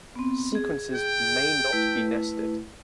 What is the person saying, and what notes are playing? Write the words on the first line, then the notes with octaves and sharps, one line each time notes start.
Sequences may not be nested.
B3 C4
G#4
G5
A3 E4 B4